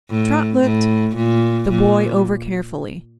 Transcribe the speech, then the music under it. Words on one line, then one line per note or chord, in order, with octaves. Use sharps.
Trot looked the boy over carefully.
A2
A2
A#2
A#2